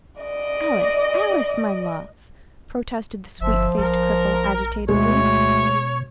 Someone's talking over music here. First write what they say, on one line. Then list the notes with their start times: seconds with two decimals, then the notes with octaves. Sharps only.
"Alice, Alice, my love!" protested the sweet-faced cripple, agitatedly.
0.21 D5 D#5
3.41 G1 F3 E5
3.79 A#1 A#4
4.89 D2 B2 G#3 C#5